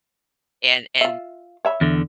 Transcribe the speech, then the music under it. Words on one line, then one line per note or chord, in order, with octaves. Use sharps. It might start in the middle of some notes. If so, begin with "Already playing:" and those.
and and
F4 E5
C#5 E5 B5
E2 D3